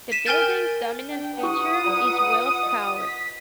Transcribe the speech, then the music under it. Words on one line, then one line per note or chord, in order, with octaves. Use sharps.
The building's dominant feature is Wills Tower.
B6 D#7 E7
A#4 G5 G#5 F6 G6 A6
D4 G5
E4 G4 B4 F#5 C#6 D#6
F4 D5 A#5
D#5
B6